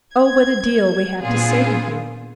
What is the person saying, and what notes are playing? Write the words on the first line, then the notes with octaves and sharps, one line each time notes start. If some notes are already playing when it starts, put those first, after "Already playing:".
'O what a deal we have to say to you!
G#6
A#2 B3 C4 D4 F4 G#4